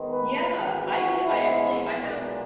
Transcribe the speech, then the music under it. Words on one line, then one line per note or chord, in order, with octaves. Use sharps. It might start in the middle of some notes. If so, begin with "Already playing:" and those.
Yeah, I I actually I have,
Already playing: G#2 D#3 G#3 B3
B4
G#1 F#2 E3
F#4
A#1 G#2 E3 G#3 B3 E4
B1 A#2 G#3